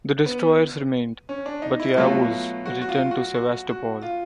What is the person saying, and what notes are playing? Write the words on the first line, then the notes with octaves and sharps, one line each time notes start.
The destroyers remained, but "Yavuz" returned to Sevastopol.
B3
C#4
D4
D#4
E4
B2 F#3 A3 F4
F#4
F#4
F4
F#4
F#4
F#4
F4